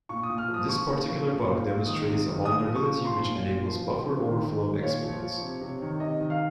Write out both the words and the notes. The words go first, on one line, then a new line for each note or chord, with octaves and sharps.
This particular bug demonstrates a vulnerability which enables buffer overflow exploits.
A#2 C#6
D#6
A#2
F6
F3
D#6
F3 C#6
A#2
F3
A#2
A#2
A#2
D#3 D#6
C3
D#3
A#2 D#6
F3
C#6
A#2
F3 C6
A#2
A#2
F3
F3
C3
D#3
D#3
D#3
A#2 C#5
F3
F3
C3
C3
D#3
C3 D#5
D#3
F5